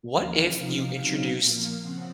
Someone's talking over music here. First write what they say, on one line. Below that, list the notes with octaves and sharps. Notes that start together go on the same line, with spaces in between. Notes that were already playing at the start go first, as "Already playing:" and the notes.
what if you introduced
D#2 C#3 F3 A#3 F5
C3 F3 C4 D#4 F5
C#3 F#3 C4 D#4
A#2 F3 A#3 F5
C#3 F3 C4 F#5